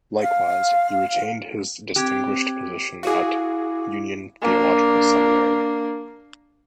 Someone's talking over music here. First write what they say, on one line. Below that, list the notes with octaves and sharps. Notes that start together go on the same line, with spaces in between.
Likewise he retained his distinguished position at Union Theological Seminary.
F5
C4 G4 F#6 G#6
E4 F#4 G#4 F5 D6
A#3 D4